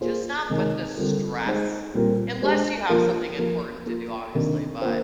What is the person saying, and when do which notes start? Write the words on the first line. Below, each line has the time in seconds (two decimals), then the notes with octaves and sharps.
just not put the stress unless you have something important to do, obviously, but
0.01 A#3 F4 G#4 C5
0.50 C3 D#3 G#3 D#4 A#4
0.97 D3 G3 C4 F4 A#4
1.45 G#3 D#4 G#4 C5
1.94 A#2 G3 C4 F4 A#4
2.42 G#3 D4 G4 C5
2.89 F3 A#3 F4 A#4
3.38 F3 A#3 F4 A#4
3.86 A#3 F4 A#4
4.35 C3 D#3 A#3 D4
4.82 A#3 F4 C5